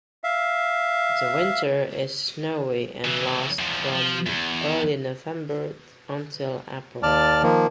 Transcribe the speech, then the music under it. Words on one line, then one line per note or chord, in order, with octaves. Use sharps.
The winter is snowy and lasts from early November until April.
E5 F5
C#3 E3
E2 F3
F3
E2
D#2 D5 A5 F6
D#3 F3 A#3